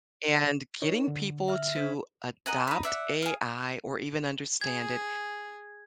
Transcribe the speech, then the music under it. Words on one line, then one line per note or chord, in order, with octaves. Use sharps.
and getting people to adopt AI or even understand it
D#4 A#4 C#5
D3
E5 F6
D4 C5 B6
A#4 D#5 F#5 G#5
D#4 B5
D5 E5 F#5
G#4 F5
G#4 G#6